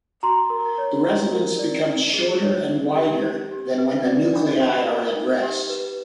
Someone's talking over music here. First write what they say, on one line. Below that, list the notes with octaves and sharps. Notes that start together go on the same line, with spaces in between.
The resonance becomes shorter and wider than when the nuclei are at rest.
F#4 A#5 C6
A#4
C#5
G4
A#4
D5
D#4
G#4
C#5
D#4
G4
C5
G4
B4
D5
D4
G4
A#4
D#4
G4
B4